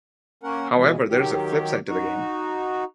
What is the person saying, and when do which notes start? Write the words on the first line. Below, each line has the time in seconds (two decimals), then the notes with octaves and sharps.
However, there is a flip side to the game.
0.43 A#3 C#4 A#4 F#5
0.76 B2 E3 G#3
1.09 D#3 F#3 G4
1.88 D#4 F#4